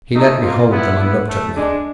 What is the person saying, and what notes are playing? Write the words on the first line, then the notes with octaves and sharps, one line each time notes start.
He let me hold them and looked at me.
A3 D#4
A#3 F4
B3 E4
B3
A3
G#3 D4